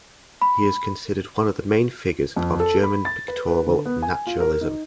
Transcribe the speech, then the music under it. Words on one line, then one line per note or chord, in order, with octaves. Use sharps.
He is considered one of the main figures of German pictorial naturalism.
B5
F2
A4
B5
A6
B4
B4
D3
B3
G#5
F4
A#4
D#4